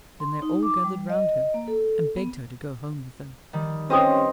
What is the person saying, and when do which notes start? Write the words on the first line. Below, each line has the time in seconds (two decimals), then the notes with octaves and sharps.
Then they all gathered round her, and begged her to go home with them.
0.20 C6
0.42 D#4
0.63 D6
0.84 G3
1.10 D#5
1.54 A#3
1.68 A4
2.17 B3
3.53 D#3 G3
3.90 C4 C#4 G4 B4 C5 D#5 C6 D#6